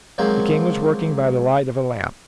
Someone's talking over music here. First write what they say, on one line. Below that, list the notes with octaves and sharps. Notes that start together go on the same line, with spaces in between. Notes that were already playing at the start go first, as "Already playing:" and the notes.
The king was working by the light of a lamp.
F3 F#3 G#3 A#3 C4